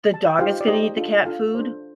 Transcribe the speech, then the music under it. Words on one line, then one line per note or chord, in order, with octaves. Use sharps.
The dog is gonna eat the cat food?
A5
G5
D#4 F4 G4 C5 F5
D5
D#4 G4 C5 D#5
D4 F4 A4
D4 F4 A4 F5
D4 A4 C5